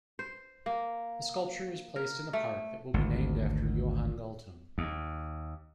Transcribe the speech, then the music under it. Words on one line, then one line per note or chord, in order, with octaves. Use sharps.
The sculpture is placed in a park that will be named after Johan Galtung.
C5
A#3
A#4
A3
G#1 D2
D#2